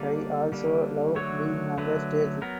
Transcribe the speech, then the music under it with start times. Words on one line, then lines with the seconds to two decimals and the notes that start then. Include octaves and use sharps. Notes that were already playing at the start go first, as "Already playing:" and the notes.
I also love being on the stage.
Already playing: D3 G3 A#3 D5
0.52 D3 G3 A#3
1.15 D3 F#3 A3 C#5
1.78 D3 F#3 A3 B4
2.42 F#3 B3 A#4